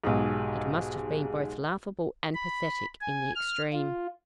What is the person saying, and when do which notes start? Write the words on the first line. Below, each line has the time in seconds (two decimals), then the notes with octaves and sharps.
It must have been both laughable and pathetic in the extreme.
0.04 B1 G#2 G4 G#4 G#5
2.34 B5
3.01 G#5
3.36 F6
3.73 F4